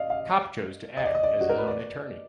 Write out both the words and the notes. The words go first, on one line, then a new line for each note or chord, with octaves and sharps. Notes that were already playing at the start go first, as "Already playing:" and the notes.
Kopp chose to act as his own attorney.
Already playing: D5 D#5 F5
F5
D#5
D5
D#5
D5
F#4
A#4
B4
D5